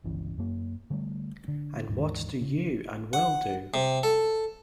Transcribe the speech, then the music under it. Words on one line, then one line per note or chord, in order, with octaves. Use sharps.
And what do you and Will do?
G1 C#2 C#3 E3
F#2 A#3
D3 G3 A3
D3
D#2 G#2 D#3 E3
C#3
F#5
C3
A4